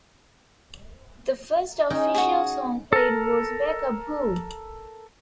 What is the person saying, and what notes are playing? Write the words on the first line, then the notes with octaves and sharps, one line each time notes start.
The first official song played was Wake Up Boo!
C#4 D#4 G5
F#4 G#4
A4 A#4